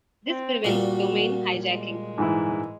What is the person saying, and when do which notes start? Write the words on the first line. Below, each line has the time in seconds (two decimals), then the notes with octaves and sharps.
This prevents Domain hijacking.
0.28 C4
0.64 A#2 G3 F#4
1.66 G#3
2.18 G#2 E3 E4